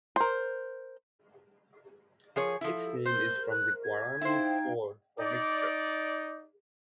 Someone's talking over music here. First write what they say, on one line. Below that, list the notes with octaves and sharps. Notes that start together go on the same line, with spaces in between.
Its name is from the Guarani word for mixture.
A#4 C5
F3 G#4 A#4 C#5
F3 E4 A4
A#4 C5 G6
F#6
G#6
D#4 E4 C5 F5 G5
D#4 D5